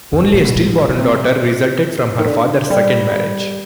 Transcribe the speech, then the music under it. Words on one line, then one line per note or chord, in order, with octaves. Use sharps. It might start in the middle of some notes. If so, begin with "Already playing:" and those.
Only a stillborn daughter resulted from her father's second marriage.
F2
A#2
A#2
B2
A#2
G#2
A2
B2
C3
D#3
D3
G3